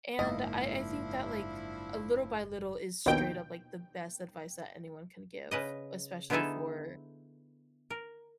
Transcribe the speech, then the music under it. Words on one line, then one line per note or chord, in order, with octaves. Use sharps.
And I I think that like a little by little is straight up like the best advice that anyone can give, especially for
F#1 G#2 F3 A#3 D4 E4 D#5
A#1 D#2 B2 D#3 G5
C#3 B4 D#5
D3 B3 D#4 E4 G#4 A4
A#4